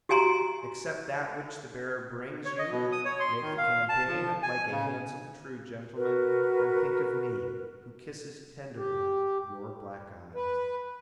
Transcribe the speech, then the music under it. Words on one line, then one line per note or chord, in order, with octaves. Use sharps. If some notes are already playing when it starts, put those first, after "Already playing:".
Accept that which the bearer brings you; make the campaign like a handsome true gentleman, and think of me, who kisses tenderly your black eyes.
F#4 G4 G#5 A#5 C6
C#5
D#5
B2
D#6
C#5
C6
D#3
F5
A5
F3
G#5
C#3
F#4 A#4 B4
G4
B4